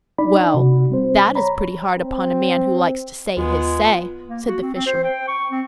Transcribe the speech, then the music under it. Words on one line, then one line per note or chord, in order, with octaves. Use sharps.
"Well, that is pretty hard upon a man who likes to say his say," said the fisherman.
D4 D#4 D5 B5
C3 F#4
G3 C4 C5
C#5 A#5 B5
C4
D#2 G#3 B3 F4
A#3
F#4
C4
C4
C5
G5
C#6
C4